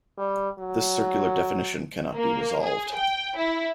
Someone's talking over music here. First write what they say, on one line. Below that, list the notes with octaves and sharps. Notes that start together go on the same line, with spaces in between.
This circular definition cannot be resolved.
G3
F#3
A#3
G#4
G5
E4